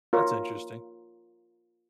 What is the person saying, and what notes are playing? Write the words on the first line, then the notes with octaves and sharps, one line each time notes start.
That's interesting.
F4 A#4 C#5